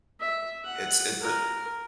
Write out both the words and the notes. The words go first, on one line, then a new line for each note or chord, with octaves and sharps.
It's it's a
E5
F#5
A#4